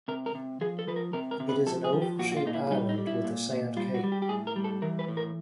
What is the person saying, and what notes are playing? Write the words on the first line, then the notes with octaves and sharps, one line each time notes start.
It is an oval-shaped island with a sand cape.
C3 A#4
A#4
C3
F3 G#4
A4
F3 B4
A#4
C3 A#4
A#4
C3
B4
F3 A4
G#4
F3
G4
A#2 F#4
F#4
F4
A#2 D#4
E4
G3 D#4
D#4
G3
E4
A#2
A#2
G3 F4
F#4
G3
G4
G4
A2 G#4
A#4
G3
A4
E3 A#4
B4
A2
A#4